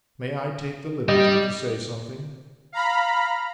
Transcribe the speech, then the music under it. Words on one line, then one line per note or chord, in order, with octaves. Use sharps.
'May I take the liberty to say something?'
G3 D#5
F5 A#5 B5